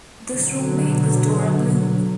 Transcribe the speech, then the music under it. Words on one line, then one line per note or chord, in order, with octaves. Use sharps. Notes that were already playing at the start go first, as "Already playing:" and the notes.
This roommate was Dora Bloom.
B2 D3 F#3